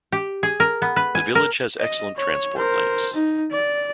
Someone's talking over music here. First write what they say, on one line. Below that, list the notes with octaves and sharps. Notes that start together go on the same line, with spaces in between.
The village has excellent transport links.
G4
G#4
A#4
B3
B4
G#5
A#4
D#5
C#5
A#4 C5
D#4
D5